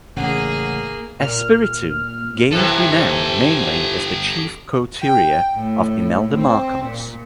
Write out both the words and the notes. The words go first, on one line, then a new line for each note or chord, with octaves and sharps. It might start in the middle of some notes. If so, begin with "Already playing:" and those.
Espiritu gained renown mainly as the chief couturier of Imelda Marcos.
A1 C#3 A#3 G#4 F#5
A#2 F6
C3 E3 G4 A4
G5
A2
C4
A#2